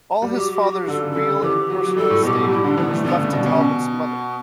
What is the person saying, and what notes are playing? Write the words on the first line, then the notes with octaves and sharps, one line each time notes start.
All his father's real and personal estate was left to Talbot's mother.
G3
F#3 G4
G4
F#4
G4
D3 A4
C#3
C#3 A4
E3 G4
F#3
F#3
G3 A4
A2
B2 G4
F#3
G3 E4
D3 D4
E3 B3
E3 A3
D3 B3
C#3 A3
B2 G3
B2 C#4
B3